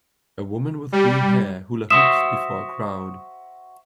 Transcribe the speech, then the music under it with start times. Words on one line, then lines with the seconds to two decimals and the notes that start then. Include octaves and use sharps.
A woman with green hair hula hoops before a crowd.
0.92 G3
1.90 F#4 C5 E5 D#6 E7